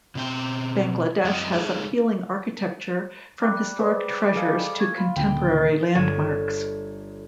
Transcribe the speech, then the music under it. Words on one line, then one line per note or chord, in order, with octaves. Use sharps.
Bangladesh has appealing architecture from historic treasures to contemporary landmarks.
B2 C4 G5
F#2 D#5 G5
G#3 D#4 G#4 A4 C#5
G3 G5 A#5 D6 F#6
G#4 B4 C5 D5
G#4 A4 D#5 F5 G#5
C#6 G#6
F4 B5
D2 A#2 C#3 G5
G1 A4 C#5 G#5